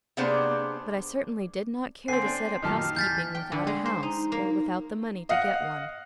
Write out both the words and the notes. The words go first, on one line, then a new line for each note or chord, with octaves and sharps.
But I certainly did not care to set up housekeeping without a house or without the money to get one.
C3 A#3 B3 D4 G#4 C5
D3 C4 G#5 C7
C4 D4
F#2 A#2 D#3 D#4 G4 A5 F6
E2 G6 A6 B6
G5
D3
G#3
C5
D#4
A#3
D#5 F5 F#5